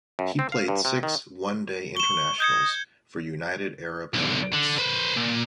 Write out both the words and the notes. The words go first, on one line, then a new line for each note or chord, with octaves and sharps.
He played six One Day Internationals for United Arab Emirates.
F#2
C4
F5
G2
C3
D#3
C#6 E7 G7
D#5 G6 G#6 C#7
B1 D3
D3
B4 C5
A#2